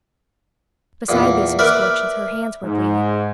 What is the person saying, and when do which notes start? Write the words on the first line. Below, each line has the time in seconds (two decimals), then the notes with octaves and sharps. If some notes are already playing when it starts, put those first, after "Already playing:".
Beside these misfortunes her hands were bleeding.
1.09 E2 A#2
1.59 A#4 B4 D5 E5
2.63 G#2